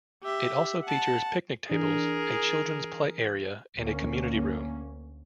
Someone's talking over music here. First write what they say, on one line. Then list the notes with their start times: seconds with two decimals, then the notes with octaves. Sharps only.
It also features picnic tables, a children's play area and a community room.
0.24 G4 E5
0.84 F#5 A5
1.70 E3 D4 G#4 A#4
3.78 D2 A#3 C#4